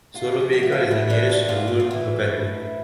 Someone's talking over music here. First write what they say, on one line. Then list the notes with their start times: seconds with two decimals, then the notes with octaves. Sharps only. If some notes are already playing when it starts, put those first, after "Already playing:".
Solovyevka is the nearest rural locality.
0.14 C3 F4
0.40 F3
0.53 G4
0.63 A3 E4
0.72 F4
0.91 E3 E4
1.10 D4
1.17 A3
1.29 E4
1.43 A2
1.49 F4
1.67 A2 E4
1.80 F4
1.91 E3 E4
2.19 A3